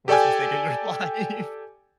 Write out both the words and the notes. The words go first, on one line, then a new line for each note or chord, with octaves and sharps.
Worst mistake of your life.
G4 A4 D5 G5 G#5